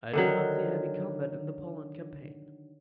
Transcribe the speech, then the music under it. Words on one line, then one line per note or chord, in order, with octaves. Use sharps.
It did not see heavy combat in the Poland campaign.
D3 D#3 F#3